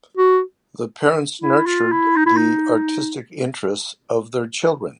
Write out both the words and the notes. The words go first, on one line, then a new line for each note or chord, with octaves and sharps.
The parents nurtured the artistic interests of their children.
F#4
E4
F4
E4
D#4
E4
D#4